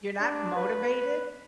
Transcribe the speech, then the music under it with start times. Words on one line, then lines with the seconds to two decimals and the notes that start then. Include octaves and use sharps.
you're not motivated?
0.20 D4
0.56 B4